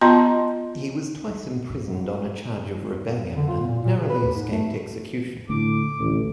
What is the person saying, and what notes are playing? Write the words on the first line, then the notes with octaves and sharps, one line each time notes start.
He was twice imprisoned on a charge of rebellion, and narrowly escaped execution.
B3 F4 D#5 A5 A#5 C6
D3
F4
A#2
A#2
C#3
B4
D#2
G#2
A3
A2 D3 A3 D4 D6
A1 D2 D#3 A3